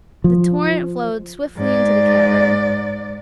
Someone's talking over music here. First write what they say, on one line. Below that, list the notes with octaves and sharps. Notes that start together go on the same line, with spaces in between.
The torrent flowed swiftly into the cavern.
F3
G#2 D5